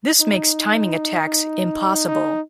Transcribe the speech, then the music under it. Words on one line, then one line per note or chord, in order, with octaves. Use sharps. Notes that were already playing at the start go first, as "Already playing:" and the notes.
This makes timing attacks impossible.
D#4
D#4